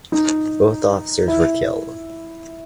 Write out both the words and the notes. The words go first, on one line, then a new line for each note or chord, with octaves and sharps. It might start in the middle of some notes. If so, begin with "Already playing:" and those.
Both officers were killed.
D#4
E4